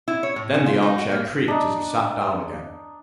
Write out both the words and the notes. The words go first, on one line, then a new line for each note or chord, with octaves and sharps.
Then the armchair creaked as he sat down again.
E4
C#5
A2
C#3
F4
D#4
F#4
A#3
D4 D#4